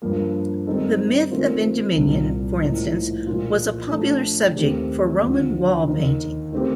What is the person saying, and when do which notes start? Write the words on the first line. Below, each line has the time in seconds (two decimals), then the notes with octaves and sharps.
The myth of Endymion, for instance, was a popular subject for Roman wall painting.
0.02 G2 F3 A#3
0.67 D#3 G3 C4 D#4 A4
1.31 D#3 A3 C4 F4 A#4
1.96 C2 A#2 G3
2.61 A2 F3 A#3 D#4
3.27 A#2 F3 A#3 F4
3.92 F3 A3 D4 A4
4.56 D#2 D#3 A3 C4 G4
5.22 D2 D3 F3
5.87 D#2 D#3 A#3 D#4 A#4
6.53 D#3 A3 C4 G4